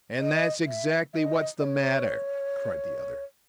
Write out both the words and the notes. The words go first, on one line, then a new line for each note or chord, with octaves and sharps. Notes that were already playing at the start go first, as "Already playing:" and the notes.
"And that's exactly what's the matter!" cried the other.
D#5
E5
E5
D#5
D#5
C#5